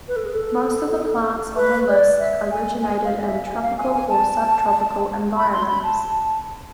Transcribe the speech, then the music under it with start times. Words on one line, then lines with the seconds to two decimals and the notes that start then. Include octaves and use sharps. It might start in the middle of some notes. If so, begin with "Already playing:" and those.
Most of the plants on the list originated in tropical or subtropical environments.
0.08 B4
0.16 A4
0.25 G#4
0.33 A4
1.56 B4
1.88 D5
2.19 E5
2.51 G#5
2.83 G#5
3.04 F5
3.25 E5
3.46 G#5
3.62 F5
3.78 G#5
3.94 G#5
4.09 A5
5.36 B5
5.52 C6
5.68 B5
5.83 A5